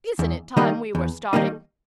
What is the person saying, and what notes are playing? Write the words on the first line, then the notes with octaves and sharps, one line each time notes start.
"Isn't it time we were starting?"
E2
D#3 G3 A#3 D#4
E2
D#3 G3 A#3 D#4